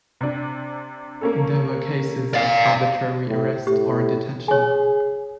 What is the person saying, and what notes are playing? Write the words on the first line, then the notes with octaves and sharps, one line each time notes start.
There were cases of arbitrary arrest or detention.
C3 D4
A#3 C#4 A4
D5 F5
A2
A2 G4
G#4 C#5 G#5